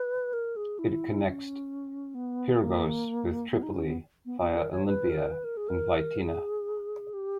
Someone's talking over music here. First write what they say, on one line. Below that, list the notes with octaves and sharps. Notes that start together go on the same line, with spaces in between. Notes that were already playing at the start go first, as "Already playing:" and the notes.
It connects Pyrgos with Tripoli, via Olympia and Vytina.
Already playing: B4
A#4
G#4
E4
C#4
B3
A#3
B3
D#4
C#4
B3
B3
B3
A#4
C#5
B4
A#4
B4
A#4
G#4
A#4
G#4
G4